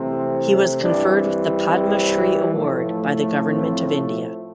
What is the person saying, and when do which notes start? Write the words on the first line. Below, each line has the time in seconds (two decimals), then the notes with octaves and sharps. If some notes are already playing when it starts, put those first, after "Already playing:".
He was conferred with the Padma Shri award by the Government of India.
Already playing: C3 E3 A3 C4
0.82 E3 G3 C4 D4
1.67 C4
2.53 A2 F3 A3
3.39 C4